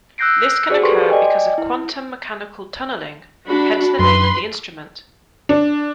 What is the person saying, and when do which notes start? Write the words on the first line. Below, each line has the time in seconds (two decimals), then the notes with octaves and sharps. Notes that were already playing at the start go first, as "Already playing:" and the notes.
This can occur because of quantum mechanical tunneling, hence the name of the instrument.
0.18 E6 F#6 G6 A#6 C7 D7
0.69 F#4 G#4 C5 D5
0.82 G4 A4 B4 D5 C6 C#6
1.09 D5 D#5 G5 G#5
1.58 E4
3.48 D4 F#4 B5
3.99 F#2 B4 B5 C6
5.49 D4